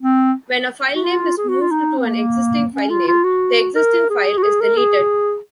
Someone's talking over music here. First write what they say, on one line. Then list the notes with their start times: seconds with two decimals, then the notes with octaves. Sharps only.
When a filename is moved to an existing filename, the existing file is deleted.
0.02 C4
0.95 F#4
1.04 F4
1.38 G#4
1.49 F#4
1.61 F4
1.71 D#4
1.98 C4
2.05 A#3
2.74 C#4
2.90 F4
3.08 F4
3.24 F#4
3.75 A#4
4.10 G#4
4.37 F#4
4.43 G#4
4.61 A#4
4.77 G#4